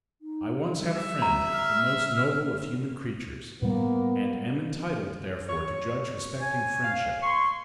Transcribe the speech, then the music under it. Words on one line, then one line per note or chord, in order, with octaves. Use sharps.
I once had a friend, the most noble of human creatures, and am entitled, therefore, to judge respecting friendship.
D#4
G3 E5
A#5
F6
A2 G3 A#3 B3
C#5 C#6
G#5
F5
C6 C#6 C7